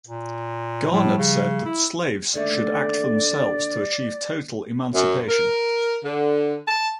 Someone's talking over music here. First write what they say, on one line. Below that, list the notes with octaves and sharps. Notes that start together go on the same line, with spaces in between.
Garnet said that slaves should act for themselves to achieve total emancipation.
A#2
A2 F3 G3
C#3
E4
D#2 D3 A3 D5
F#2
A#4
D3
A5